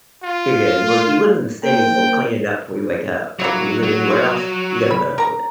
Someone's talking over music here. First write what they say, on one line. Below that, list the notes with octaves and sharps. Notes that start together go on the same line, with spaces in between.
it is, but if you live in the city, they'll clean it up before you wake up, but if you live anywhere else, you gotta put up with it.
F4
A3
A#3 A#4 C5 G5
F#3 A#3 E4 C#6
F#3
F4
B5
A#4 A#5